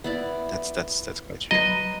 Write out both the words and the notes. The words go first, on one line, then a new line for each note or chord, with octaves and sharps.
That's that's that's quite true.
B3 E4 D5
F#3 B4 D#5 A#5 C6